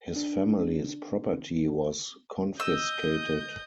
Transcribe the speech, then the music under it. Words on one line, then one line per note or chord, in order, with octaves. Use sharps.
His family's property was confiscated.
D4
D#5 D#6 E6 G6